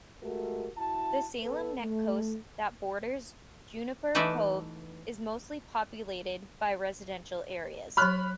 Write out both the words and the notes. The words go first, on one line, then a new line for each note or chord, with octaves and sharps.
The Salem Neck coast that borders Juniper Cove is mostly populated, by residential areas.
G#3 A3 F#4 G4 A#4
E4 F#4 A5
B3 A4 B4
A3
E3 A3 D#4 B4 D5 E5
F#3 C#5 B5 C#6 F6 F#6